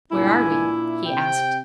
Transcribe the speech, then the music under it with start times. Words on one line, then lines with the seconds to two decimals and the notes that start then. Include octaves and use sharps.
'Where are we?' he asked.
0.12 C#2 G2 A#2 D4 E4 G#5
1.06 C3 G5